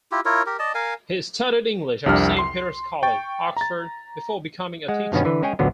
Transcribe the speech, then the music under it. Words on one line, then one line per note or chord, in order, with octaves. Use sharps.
He studied English at Saint Peter's College, Oxford, before becoming a teacher.
E4 F4 G4
E4 F4 A#4 C#5
G4 A#4
D5 D#5 A5
A#4 F5 G#5
C2 F2 C3 D4 F6
C6 C7
G5 C#6 A6
A#5 A6
G#3 F#5
G2 B2 D#3 A#3 B3 C#4
D3 E3 B4
G#3 C#4 G#4 C#5 G5 G#5
A1 D2 D3 F3 F#3 B3